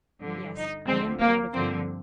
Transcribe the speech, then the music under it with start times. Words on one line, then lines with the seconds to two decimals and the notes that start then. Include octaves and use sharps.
"Yes, I am proud of you."
0.22 G2 D3 F3
0.55 D#4
0.87 D2 D3 F3 C4
1.20 A#3
1.53 G2 D3 F3 C4